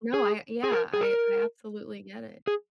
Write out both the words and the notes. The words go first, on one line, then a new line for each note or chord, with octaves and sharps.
No, I a yeah, I I absolutely get it.
G#4
G#4
A#4
G#4
A#4
G#4